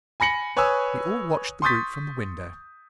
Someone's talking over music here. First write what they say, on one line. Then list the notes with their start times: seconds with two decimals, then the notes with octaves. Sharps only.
We all watched the group from the window.
0.20 G#5 B5 A#6 C#7 F#7
0.57 B4 C#5 G#5 C#6 D#6 E6
1.62 C6 C#6 D#6 G6 A6 B6